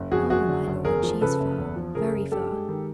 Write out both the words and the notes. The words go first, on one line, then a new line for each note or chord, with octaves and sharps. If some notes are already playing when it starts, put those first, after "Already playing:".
'Oh, my lord, she is far, very far.
Already playing: F#1
F2 F#4 G#4
F#1 F#4 G#4
D3
F#1
E2 G#4 A#4
F3
C#3 A4 B4
F#1
E2
F3
C#3 G#4 A#4
F#1
G2 G4 A4
G#3
D#3